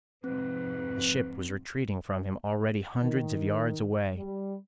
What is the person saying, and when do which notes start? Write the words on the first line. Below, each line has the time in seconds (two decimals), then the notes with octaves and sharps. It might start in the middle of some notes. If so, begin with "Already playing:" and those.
The ship was retreating from him already hundreds of yards away.
0.24 F2 G#2 C3 C4 B4
3.01 D#3
4.16 G3